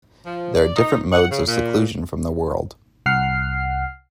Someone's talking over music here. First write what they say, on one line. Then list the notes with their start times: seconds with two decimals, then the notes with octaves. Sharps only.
There are different modes of seclusion from the world.
0.25 F3
0.55 D5
0.76 D#4
1.12 F#5
1.29 C#3
1.46 A#2
3.06 C2 F#5 F6 C7